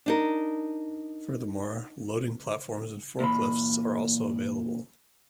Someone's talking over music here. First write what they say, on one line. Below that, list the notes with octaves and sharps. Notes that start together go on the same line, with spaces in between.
Furthermore, loading platforms and forklifts are also available.
D4 D#4 A#4
A#2 E3 B5